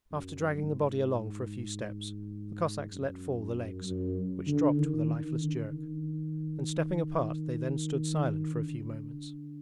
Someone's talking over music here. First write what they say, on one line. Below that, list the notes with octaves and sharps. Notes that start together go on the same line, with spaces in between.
After dragging the body along for a few steps the Cossacks let fall the legs, which dropped with a lifeless jerk, and stepping apart they then stood silent for a few moments.
F#2
G#2
F#2
F#2
D3
D#3
D#3
D3
D#3
D3